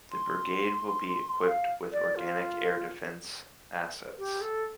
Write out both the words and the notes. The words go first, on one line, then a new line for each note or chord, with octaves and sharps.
The brigade will be equipped with organic air defence assets.
C6
F5
D5
F4
G4
A4